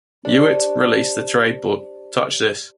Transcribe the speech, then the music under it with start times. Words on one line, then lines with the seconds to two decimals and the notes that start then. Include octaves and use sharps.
Hewitt released the trade book: Touch This!
0.25 D4 G4 C5 D5